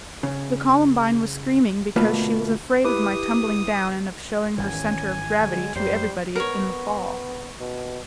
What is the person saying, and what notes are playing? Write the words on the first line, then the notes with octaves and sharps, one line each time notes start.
The Columbine was screaming because she was afraid of my tumbling down and of shewing her centre of gravity to everybody in the fall.
C#3
D2 B2 A3 A#3 F4 B4
E4 G4 B4 D6 D#6
G#1 D#3 E3 C#4 G#5
D3 F#3 G#3
F#2 F#3 G3 C5
B3 A#4 C#5
B2